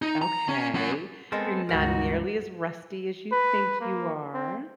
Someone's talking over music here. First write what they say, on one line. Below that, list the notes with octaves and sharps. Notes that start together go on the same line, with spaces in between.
Okay. You're not nearly as rusty as you think you are.
D#4
A#5
C#4
C#4 F#5
G#3 B3 C4 A4 A#4
C#2 G2 D#4 F#4 A#4
B4
A#3
C4